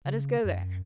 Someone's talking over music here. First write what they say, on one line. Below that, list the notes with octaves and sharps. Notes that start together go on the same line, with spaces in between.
"Let us go there."
C#3
F#2